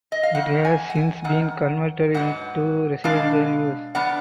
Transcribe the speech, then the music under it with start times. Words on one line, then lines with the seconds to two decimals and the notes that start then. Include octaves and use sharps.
It has since been converted to residential use.
0.12 D#5
0.23 F5
0.35 F2 D#3 F#5
0.65 G#5
0.90 F#5
0.95 G#5
1.24 F#2 D#3 F#5
2.14 G#2 F#3 B3 F#5
3.04 B2 G#3 D4 F5
3.95 F3 B3 D4 F#5